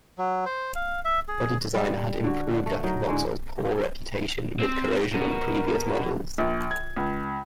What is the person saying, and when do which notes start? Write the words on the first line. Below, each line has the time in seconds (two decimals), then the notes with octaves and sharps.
Body design had improved after Vauxhall's poor reputation with corrosion on previous models.
0.18 F#3
0.46 C5
0.76 F5
1.05 E5
1.28 G#4
1.75 G3
2.24 D3 F#4
2.66 A3
2.83 F#3 D#4 A#4
3.07 A2 D3 G#3 C#4
4.60 C4
5.14 B2 A#4
6.38 A#1
6.71 G#6
6.96 C#2